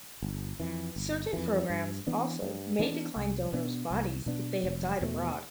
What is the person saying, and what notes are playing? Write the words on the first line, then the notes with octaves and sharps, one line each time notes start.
Certain programs also may decline donor's bodies if they have died abroad.
G1
F2 E3
G1
F2 E3
G2
E3 B3 D4
G2
E3 B3 D4
C2
B2 B3 D4
C2
B2 B3 D4
F1
E2 B2 A3